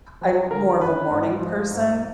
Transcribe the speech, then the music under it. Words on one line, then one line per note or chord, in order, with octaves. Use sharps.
I'm more of a morning person
F3
D3 A#4
F#2 B4
G#2
F3
G#2